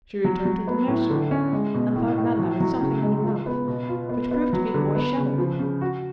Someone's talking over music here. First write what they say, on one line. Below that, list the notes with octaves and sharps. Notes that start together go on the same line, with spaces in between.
She returned to the nursery, and found Nana with something in her mouth, which proved to be the boy's shadow.
F#3
F#3
B3
A2
D3
C#4
G#3
B2
A2
A2
F#3
F#3
C#3
G#3
F4
B3
B2
F4
B3
B3
F#3
D3
B3
C#3
F3
C#3
F#4